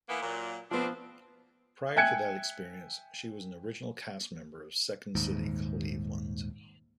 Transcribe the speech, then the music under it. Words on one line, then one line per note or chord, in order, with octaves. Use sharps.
Prior to that experience, she was an original cast member of Second City Cleveland.
E3 A#3 B3
A#2 F#3
F3 B3 C4 D4
E5 G5 G#5 F#6 G#6 C#7
D#1 D#2 G#2